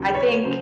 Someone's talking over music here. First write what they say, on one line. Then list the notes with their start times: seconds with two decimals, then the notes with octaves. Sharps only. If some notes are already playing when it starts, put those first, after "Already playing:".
I think
Already playing: D#2 C#3 F#3
0.14 C#5
0.44 C#3 F#3 C5